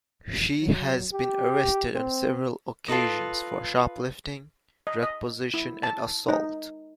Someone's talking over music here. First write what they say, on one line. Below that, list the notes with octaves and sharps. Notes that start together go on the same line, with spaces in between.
She has been arrested on several occasions for shoplifting, drug possession and assault.
F#3
G4
C4
F4 A4 B4 D#5
D#5
D#5
E4
A5
D#4